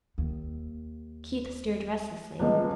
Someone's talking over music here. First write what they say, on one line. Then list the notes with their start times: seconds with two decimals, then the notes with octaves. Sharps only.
Keith stirred restlessly.
0.18 D#2
2.40 D#1 C#2 G#4 D#5